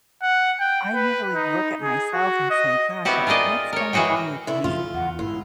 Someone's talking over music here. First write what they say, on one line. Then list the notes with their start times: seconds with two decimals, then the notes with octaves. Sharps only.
I usually look at myself and say, "Gosh, uh, what's going on with me?"
0.22 F#5
0.60 G5
0.95 B4
1.35 D#4
1.82 G#4
2.14 F#4
2.50 D#5
3.05 B3 C4 E4 F#4 G4
3.27 F4 G#4 A#4 D5 D#5
3.73 A#4 C#5
3.93 E3 G#3 F#4 G#4 G5
4.47 D3 E4 E5
4.64 F#2 C#3 F3 F4
4.94 E2 F#5
5.19 G1 G#2 E4 F4